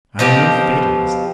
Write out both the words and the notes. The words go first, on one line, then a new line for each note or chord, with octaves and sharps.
I'm no fatalist.
B2 F3 C4 G4